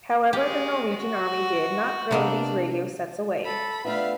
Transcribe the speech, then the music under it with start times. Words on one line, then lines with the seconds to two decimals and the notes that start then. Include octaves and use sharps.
However the Norwegian Army did not throw these radio sets away.
0.33 G#3 C#4 G4
0.97 F#4
2.11 C3 A#3 B3 D4
3.44 A4 B5
3.85 A3 B3 D4 F4 E5 F5